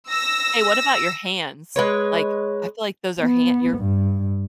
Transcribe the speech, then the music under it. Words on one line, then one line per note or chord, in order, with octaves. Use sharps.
Hey, what about your hands, like, I feel like those are hand you're
E6 A#6
G#3 B4 C#5
B3
G2